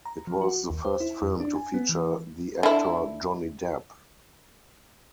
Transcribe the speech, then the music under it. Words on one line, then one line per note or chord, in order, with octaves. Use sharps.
It was the first film to feature the actor Johnny Depp.
A#5
F3
F#4
D#2
C5
E4
F2
D4
G#5
B3
E3
D3 E4